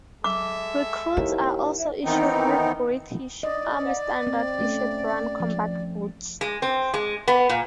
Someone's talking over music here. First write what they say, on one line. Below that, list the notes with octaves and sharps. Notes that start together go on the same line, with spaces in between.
Recruits are also issued with British Army Standard Issued Brown Combat Boots.
G#3 A4 E5 D6
D#2 E4
D#3 E3 B3 C4 D#4
D5 D#5
C4
A3 C#4
F3
G#3
C4
G#3
B3
A#2